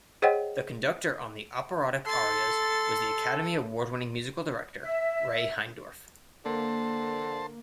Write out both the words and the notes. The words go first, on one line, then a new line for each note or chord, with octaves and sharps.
The conductor on the operatic arias was the Academy Award-winning Musical Director Ray Heindorf.
G#4 C5 C#5 D#5 F#5 G5
A4 C6 A6
E5
D3 A#3 C5 A5